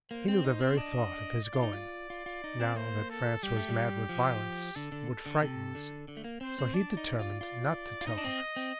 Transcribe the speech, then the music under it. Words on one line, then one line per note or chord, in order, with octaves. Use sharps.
He knew the very thought of his going, now that France was mad with violence, would frighten Lucie, so he determined not to tell her.
A#3 C5
C4
D#4
C4
D4 D#5
D5
F4
D#4
F4
F4
F4
D#4
C4
A#3 C5
A4
G3 G4
A3
G3
F3
D3 A4
D3
D3
C3
D3
D3
A3
A#3
C4 C5
C4
D4 D5
D#4
F4
F4
F4
D#4 D#5
D4
C4
C4